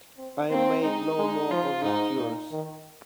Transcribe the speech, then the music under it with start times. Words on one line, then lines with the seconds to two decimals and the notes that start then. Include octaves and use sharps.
I made no more overtures.
0.18 C4
0.51 A#3 C4
0.84 G#3 D#4
1.17 G#3
1.51 F3 F4
1.84 G#2 D#4
2.18 A#2
2.51 D#3